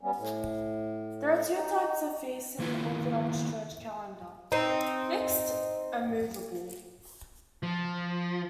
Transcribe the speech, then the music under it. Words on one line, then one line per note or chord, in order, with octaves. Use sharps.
There are two types of feasts in the Orthodox Church calendar: fixed and movable.
G3 B3 C#4
A2
D#4
D#3 A#3 B3 E4 F4
C4 D#4
F3